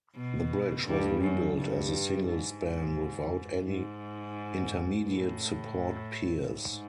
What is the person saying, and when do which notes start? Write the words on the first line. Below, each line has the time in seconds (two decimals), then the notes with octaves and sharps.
The bridge was rebuilt as a single span without any intermediate support piers.
0.16 B2
0.87 G2
1.22 F#2
1.58 G2
2.28 G#2
3.69 G#2
5.10 A2
6.51 G#2